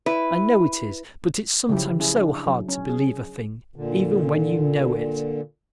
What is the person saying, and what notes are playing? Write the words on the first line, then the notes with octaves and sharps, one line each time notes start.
I know it is, but it's sometimes so hard to believe a thing even when you know it.
E4 B4
C#3 F3 F#3 E4 G4
C#4 E4 G#4
D4
F#3
C#4
G#4
A#2 D3